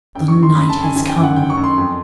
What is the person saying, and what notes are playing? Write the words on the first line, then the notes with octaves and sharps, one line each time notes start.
The night has come!
F#2 G5
C#6
D#3
C6
F#2 B5
A5
F#2
G#5
D#3 G#5
G5
F#2
F#5
D#3 G5
C#6
F#2
C6
F2